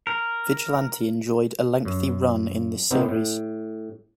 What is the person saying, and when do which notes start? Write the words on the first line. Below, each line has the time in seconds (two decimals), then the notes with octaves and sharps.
Vigilante enjoyed a lengthy run in this series.
0.07 A#4
1.85 F#2
2.91 C3 B3 C4 D#4 G4 A#4
3.09 A2